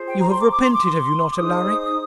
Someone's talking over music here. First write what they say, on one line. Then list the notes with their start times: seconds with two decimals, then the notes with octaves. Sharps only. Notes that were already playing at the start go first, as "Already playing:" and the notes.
You have repented, have you not, Alaric?'
Already playing: F4 G#4 C5
0.09 G5
0.19 A#5
0.30 C6
0.40 D6
0.51 D6
0.62 C6
0.73 D6
0.84 C6
1.31 D6
1.37 D#4 G#4 C5 D#6